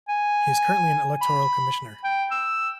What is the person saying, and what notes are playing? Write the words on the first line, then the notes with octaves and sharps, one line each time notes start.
He is currently an Electoral Commissioner.
G#5
B5
G5
E6